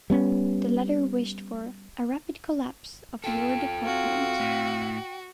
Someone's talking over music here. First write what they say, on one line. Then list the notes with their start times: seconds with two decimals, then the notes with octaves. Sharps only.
The letter wished for "a rapid collapse of your department".
0.10 G3 B3 C#4
3.24 F4 A4 G5
3.85 C4 F#4 F5
4.40 A2